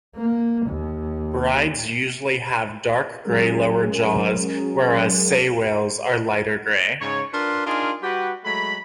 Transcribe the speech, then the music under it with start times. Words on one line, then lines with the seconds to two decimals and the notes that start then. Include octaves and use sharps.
Bryde's usually have dark grey lower jaws, whereas sei whales are lighter grey.
0.15 A#3
0.66 D#2
3.24 F#3 G#3 C#4 G#4 A#4
7.01 G#2 C#3 C#5
7.33 D4 F4 A#4 B4 C6
7.66 D4 D#4 F4 G#4 A#4
8.03 G3 F#4 G4 B4 F#5
8.45 F#3 G#3 A3 B5